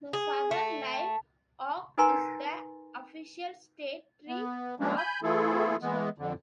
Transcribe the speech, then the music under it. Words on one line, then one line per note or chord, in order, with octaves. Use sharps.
The southern live oak is the official state tree of Georgia.
G#4
A3
D#4 A#4 B4 G#5 A#5 C6
B3
F3 G3 G#3 A#3 C#4 D4
G#5 B5 G6
E3 A3 E4 F4 G#4 A4
E3 G#3 B3
F2 D3